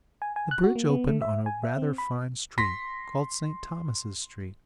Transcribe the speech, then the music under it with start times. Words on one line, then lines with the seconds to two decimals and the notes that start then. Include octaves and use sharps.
The bridge opened on a rather fine street called St. Thomas's Street.
0.22 G#5
0.36 G#5
0.51 F#6
0.64 F#4
0.75 A#3
0.89 B3
1.08 A3
1.22 E5
1.46 G#5
1.63 E5
1.78 C4
1.98 B5
2.58 C6 A#6 B6